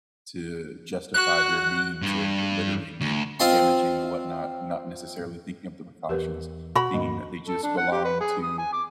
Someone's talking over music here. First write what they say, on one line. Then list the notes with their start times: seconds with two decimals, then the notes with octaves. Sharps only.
to justify their means of littering and damaging the whatnot, not necessarily thinking of the precautions, thinking that they just belong to,
1.14 F#4 F#6
2.02 G2
3.01 D2
3.40 C4 F4 D#5 A5 C6
6.09 E2 G4 A#4 B4
6.75 B2 F#4 B5
6.94 D2 G2 A#3 D4 D#5
7.47 A4
7.63 D4
7.78 F#5
7.92 G4
8.05 B4
8.21 G#4
8.43 D#6
8.58 G#5
8.73 D6